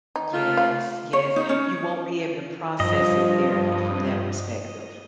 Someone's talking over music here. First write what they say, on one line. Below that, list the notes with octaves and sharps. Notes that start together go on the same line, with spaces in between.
Yes, yes, you won't be able to process it thoroughly from that perspective,
D#4
A3 A#3 F4
F5
C#5
D#4
C#4
G2 F3 D#5